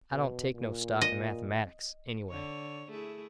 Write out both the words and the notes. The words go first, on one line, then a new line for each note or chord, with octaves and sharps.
I don't take no stock in mathematics, anyway.
B2
A#2
D#5
D3 C#5
A3 E4 G#4